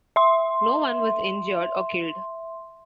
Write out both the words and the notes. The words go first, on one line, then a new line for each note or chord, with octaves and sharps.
No one was injured or killed.
E5 C6